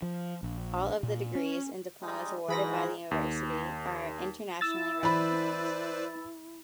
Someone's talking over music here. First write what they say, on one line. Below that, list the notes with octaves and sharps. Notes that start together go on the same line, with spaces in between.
All of the degrees and diplomas awarded by the university are internationally recognised.
F3
A#1
A#2
C#4
G3 G#3 D#4
G#2 E3 G#4 B5 A#6
D#2
E4 E6 A6
E3 B4 C5 D5 B5